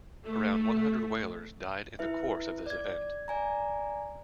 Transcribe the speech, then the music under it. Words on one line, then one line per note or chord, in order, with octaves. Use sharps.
Around one hundred whalers died in the course of this event.
A3
E4 B4 E5
D5 G#6
D5 G#5 A#5